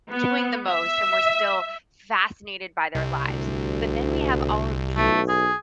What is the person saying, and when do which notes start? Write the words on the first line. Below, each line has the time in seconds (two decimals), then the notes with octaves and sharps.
doing the most and we're still fascinated by their lives, but then we have all of these
0.10 B3
0.68 E5
2.95 C2
3.27 D2
4.97 B1 A3
5.29 G#4